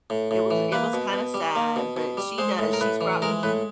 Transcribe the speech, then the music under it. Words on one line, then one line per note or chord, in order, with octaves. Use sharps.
It was it was kinda sad, but she does. She's brought me
A2
A2
E3
A#3 B4
B2
B2
G3
A#3
B2
B2
G3
G#3 C5
A2
A#4
A2 B4
E3
G#3 A#4
A2 B4